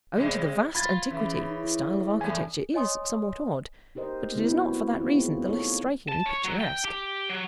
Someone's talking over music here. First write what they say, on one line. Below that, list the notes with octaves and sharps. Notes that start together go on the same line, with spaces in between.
Owing to the vast antiquity, the style of architecture is somewhat odd, but it is not for that reason the less strikingly picturesque.
C3 G3 G#3
F4 B5 G#6 A6
C#3 E3 C#4
D#4
E4
E2 A2 G#5
C#5 D#5 G#5 C6 D#6
D#4 G4 A#4 C5 D#5
C#3 B3 C4 E4
B3 C#4 F#4
C4 C#4 E4 F4
B3 F4 G#4
A3 D#4 F4 A4 C#5
A5
C#5
F#3
G5
G4
F#3